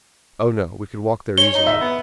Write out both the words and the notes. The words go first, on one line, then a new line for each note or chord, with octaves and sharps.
"Oh, no, we could walk there easily."
C#5 G7
D#4
E5
B3